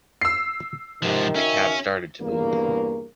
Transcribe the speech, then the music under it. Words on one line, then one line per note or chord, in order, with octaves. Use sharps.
The cab started to move.
E6 C7
G#2 C3 D#3 F3
C#3 C#4 F#4 E5
E2 G2 C#3 A#3